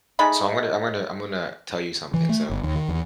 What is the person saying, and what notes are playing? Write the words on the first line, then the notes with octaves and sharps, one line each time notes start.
so I'm gonna I'm gonna I'm gonna tell you something, so,
G#3 A3 D#4 B5
E3
A3
G1
D#2
D#3
E2